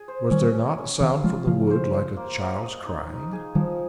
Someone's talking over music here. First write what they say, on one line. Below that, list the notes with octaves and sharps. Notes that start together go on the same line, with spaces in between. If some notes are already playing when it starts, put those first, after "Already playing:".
Was there not a sound from the wood like a child's crying?
Already playing: G#4
C5
D#3 G3 C#4
C#4
C#4
C3 D#3 F5
F3 G#3 F4
C#3 F3 F5
C5
C5
A#3
A#3
D#5
D#4
D#4
G#4
D#3 F3 G3